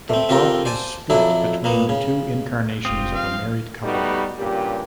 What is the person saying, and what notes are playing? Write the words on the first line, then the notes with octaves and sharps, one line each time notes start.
The plot is split between the two incarnations of a married couple.
A3 C4
C4 F4 G4 A4 A#4
C5 D5 G#5 A5
F2 F#3 E4 A4 D5
A#2 A#3 B3
C#3
F1 F#2 C4 F4 G4 D#6
F3 F5
G3 A3 B3 D#4 F#4 G4
G2 A#2 C#3 G4